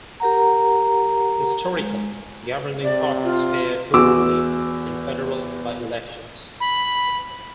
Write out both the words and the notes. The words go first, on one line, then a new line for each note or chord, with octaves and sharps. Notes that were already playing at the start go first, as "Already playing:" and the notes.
Historically, governing parties fare poorly in federal by-elections.
G4 A#4 F#5 A#5
G#3
C3 D5
F4
E2 F#4 D6 E6
B5